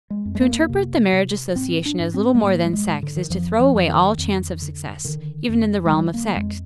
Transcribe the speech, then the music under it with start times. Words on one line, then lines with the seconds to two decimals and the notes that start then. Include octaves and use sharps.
To interpret the marriage association as little more than sex is to throw away all chance of success, even in the realm of sex.
0.10 G#3
0.25 F2
0.35 G#3
0.41 A#3
0.69 C3
1.13 C3
1.56 G#2 C4
1.86 D4
2.00 G#2
2.14 C4
2.35 G#3
2.43 G#2 A#3
2.65 G3
2.73 G#3
2.87 G#2
3.03 D3
3.16 D#3
3.30 F2 F3
3.60 F3
3.75 F2
3.88 D#3
4.18 F2
4.62 D3
5.05 D3 D#3
5.49 F2
5.86 G#3
5.92 D3 G3
6.14 A#3
6.36 F2 G#3